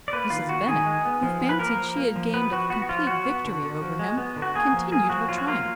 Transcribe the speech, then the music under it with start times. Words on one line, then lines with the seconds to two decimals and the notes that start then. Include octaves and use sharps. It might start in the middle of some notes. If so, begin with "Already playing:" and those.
Mrs. Bennet, who fancied she had gained a complete victory over him, continued her triumph.
0.08 D5
0.13 A#3 B4
0.30 D#3 F4
0.49 A#3 F#4
0.68 D#3 G#4
0.86 G#3
1.05 B3
1.23 F3
1.41 F3
1.49 B4
1.59 A#3 A#4
1.78 F3
1.96 A#3
2.16 F3
2.34 B3 B4
2.52 F3 F#4
2.70 B3 F#4
2.82 F#4
2.89 F3 F4
3.07 F#3 F#4
3.26 B3
3.45 D3
3.62 D3
3.81 F3
3.99 G#3
4.17 B3
4.36 D3
4.42 F#4
4.55 A#3 G#4
4.73 F3
4.91 A#3 G#4
5.10 F3 F#4
5.28 F#3 F4
5.38 F#4
5.48 A#3 F4